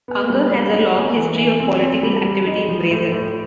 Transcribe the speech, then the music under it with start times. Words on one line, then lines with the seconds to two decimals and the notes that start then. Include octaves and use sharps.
Unger has a long history of political activity in Brazil.
0.08 B3
0.30 G3
0.51 G3
0.73 D#4
0.95 G#3
1.16 E3
1.38 E3
1.60 C4
1.82 C4
2.03 G3
2.25 G3
2.47 D#4
2.69 F3
2.90 A2
3.12 A2